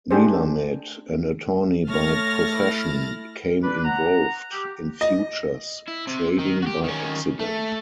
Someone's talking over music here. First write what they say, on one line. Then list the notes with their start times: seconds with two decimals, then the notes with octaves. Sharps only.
Melamed, an attorney by profession, became involved in futures trading by accident.
0.11 A3 D4 G4 G#4 C5
1.89 A3 C#5 F6 A6 A#6
2.56 E4
3.63 D4 B4
3.84 F#5 A#5
4.52 G4
5.01 D#5
5.88 E4
6.07 C3
6.39 D#3
6.62 F#4 G4
6.84 D#3 C#4
7.40 A3